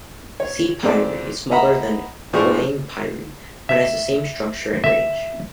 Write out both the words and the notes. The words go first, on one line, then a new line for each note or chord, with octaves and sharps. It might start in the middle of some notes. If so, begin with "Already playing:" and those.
"Se piri" is smaller than "hyang piri" but has the same structure and range.
C#5
F2 C4 G#4 D5
D#5 E5 F#5 A#5 B5
A2 F3 D4 G#4 C#6
E5
E5